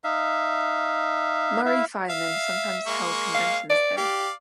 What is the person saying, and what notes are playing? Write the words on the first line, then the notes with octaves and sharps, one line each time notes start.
Murray firemen sometimes held conventions there.
D#4 E5 F5
E4 E5 F5
E5 F5
G#3 A#3 C#6
F5
D5
G4 D5 F5